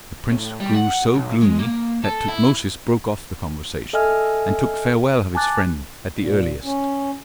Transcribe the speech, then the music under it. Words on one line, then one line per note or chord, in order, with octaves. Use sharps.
The prince grew so gloomy that Tutmosis broke off the conversation and took farewell of his friend at the earliest.
A2
G3
F#5
B1
G#3
A#3
A4
E4
A4 D#5 E5 G#5 F6
G#5 A5 D6 F#6 A6
A#2
C#4